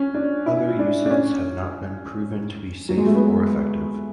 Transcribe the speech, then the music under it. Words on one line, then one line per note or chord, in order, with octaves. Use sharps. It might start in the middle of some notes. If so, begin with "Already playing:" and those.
Other uses have not been proven to be safe or effective.
Already playing: C#4
D4
E4
D4
D4
C#4
F#3
G#3
A3
B3